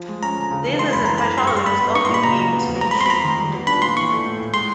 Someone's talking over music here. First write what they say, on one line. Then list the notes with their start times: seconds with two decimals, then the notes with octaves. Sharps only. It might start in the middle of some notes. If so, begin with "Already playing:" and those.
This is a partial list of the games mentioned in the book.
Already playing: F3
0.08 G#3
0.22 C#4 A#5
0.37 D3
0.51 C#3
0.65 E3
0.79 G#3 C6
0.93 F#2 B5
1.06 E3 A#5
1.18 B5
1.23 A3
1.38 G2 C6
1.47 C#6
1.52 G2 C6
1.66 G3 B5
1.80 B3
1.95 D#4 C#6
2.05 A#2 C6
2.14 B5
2.24 C#3 A#5
2.38 F#3
2.52 B3
2.67 F2
2.81 G#3 A#5
2.91 B5
2.95 C4
3.01 C6
3.06 B5
3.10 F4 A#5
3.24 D#3
3.38 G3
3.54 B3
3.67 D4 B5
3.82 A#2 C6
3.96 E3 C#6
4.11 A3
4.25 A2
4.39 A2
4.54 G#3 C6